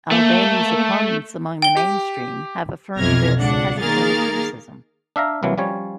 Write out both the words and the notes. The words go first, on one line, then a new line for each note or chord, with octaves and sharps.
Albani's opponents among the mainstream have affirmed this as a point of criticism.
A3 A#3
G5 G7
G4
B1 F2 C3 F6 G#6 A#6
C#2 D4 F#5
D#3 A#3 G#4 A#4 F6 A6
D4 E5 F5 A#5
C2 E3 F#3 A#3
F3 G3 C#4 C#5